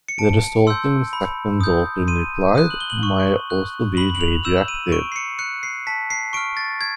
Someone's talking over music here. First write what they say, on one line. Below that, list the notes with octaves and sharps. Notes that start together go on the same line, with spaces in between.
The resulting second daughter nuclide may also be radioactive.
C#7
A5 D7
C6 E6 G6
B5
D#6 G6
C6 D#7
D#6 F#6
F#7
G7
F#7
C#6
F#6
B5 F#7
F#7
F7
E6 G6 E7
D#7
C#6 D7
C7
C#7
F#6 C#7
C7
A5 B6
C7
C#6 F6 D7
A6
G#6